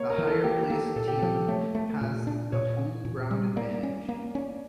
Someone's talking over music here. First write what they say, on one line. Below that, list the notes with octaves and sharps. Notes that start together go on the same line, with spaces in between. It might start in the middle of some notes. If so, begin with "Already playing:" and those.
The higher-placed team has the home ground advantage.
Already playing: A#3 C#5
A#4
E3
A4
A#3 G4
A#3 A4
A#2 A4
G4
F3 A4
A3 C#5
A3
A#2
D4
A#2 C#5
C#4
A#2
G3
A#3 D5
C#4
A#3
C#4